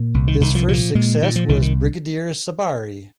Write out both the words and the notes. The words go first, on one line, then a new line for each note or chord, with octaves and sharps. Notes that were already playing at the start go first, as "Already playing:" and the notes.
His first success was "Brigadier Sabari".
Already playing: A#2
C2
D#3
C2 D#3
F3
A#2 F3
A#2 G#3
A#2 D#3
F3
C2 D#3
D#3